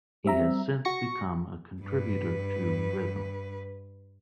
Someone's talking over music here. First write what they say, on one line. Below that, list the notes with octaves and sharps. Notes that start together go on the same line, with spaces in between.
He has since become a contributor to Rhythm.
G3 C4 E5 A#5
F#4 C#6 A#6 C#7
G2 B4